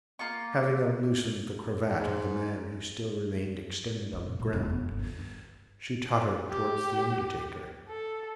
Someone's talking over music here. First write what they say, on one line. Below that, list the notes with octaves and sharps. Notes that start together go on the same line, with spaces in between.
Having unloosened the cravat of the man who still remained extended on the ground, she tottered towards the undertaker.
A#3 F4 C#6
G#2
D#4
A#2
A#2
E1
B3
G1
F2
G2
G4
A4